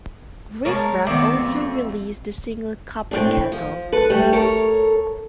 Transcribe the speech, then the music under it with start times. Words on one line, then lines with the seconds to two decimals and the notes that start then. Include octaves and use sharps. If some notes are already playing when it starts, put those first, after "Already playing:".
Riff Raff also released the single "Copper Kettle".
0.65 G#3 A#4 C#5 A5
1.06 D#3 A3 B3 C4 D5
1.36 F2
3.11 A2 C4 D4
3.52 F3
3.92 A4 B4
4.10 G3 A3
4.33 A4 A#4 C#5